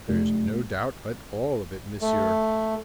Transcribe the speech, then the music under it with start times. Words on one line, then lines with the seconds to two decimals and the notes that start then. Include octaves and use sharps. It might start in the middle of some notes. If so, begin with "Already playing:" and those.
"There is no doubt at all of it, monsieur."
0.08 F1
2.01 A3